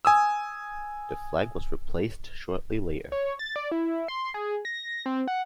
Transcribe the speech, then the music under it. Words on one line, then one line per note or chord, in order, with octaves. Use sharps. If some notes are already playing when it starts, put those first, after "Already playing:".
The flag was replaced shortly later.
G#5 D#6 E6
C#5
A6
D5
E4
C6
G#4
A#6
C4
F#5